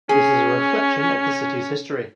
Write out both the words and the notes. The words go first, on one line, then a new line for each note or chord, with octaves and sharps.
This is a reflection of the city’s history.
C#4 G#4